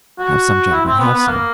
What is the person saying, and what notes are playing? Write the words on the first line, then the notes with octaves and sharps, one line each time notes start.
"Have some, gentlemen, have some!"
F#4
E4
C4
B3
B3
A#3